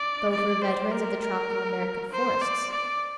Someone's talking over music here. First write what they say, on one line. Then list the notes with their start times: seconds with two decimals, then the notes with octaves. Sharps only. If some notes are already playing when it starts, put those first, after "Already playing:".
Both were veterans of the tropical American forests.
Already playing: D5
0.32 D5
0.62 C5
0.92 A#4
1.22 A#4
2.12 C5
2.42 D5
2.72 D5